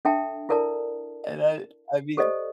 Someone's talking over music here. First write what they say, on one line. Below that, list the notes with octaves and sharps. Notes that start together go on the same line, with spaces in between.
And I I mean
D4 A4 E5 G5 A5
E4 A4 A#4 D5 A5
G4 A4 C5 D5 D#5